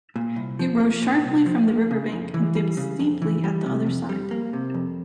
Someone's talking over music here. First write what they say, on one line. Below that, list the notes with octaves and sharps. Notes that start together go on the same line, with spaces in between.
It rose sharply from the riverbank and dipped steeply at the other side.
A#2
C2
F3
A#3
A#2
C2
F3
A#3
C#3
F2
E3
G3
C#3
F2
E3
G3
C3
F2
G3
A#3
C3
F2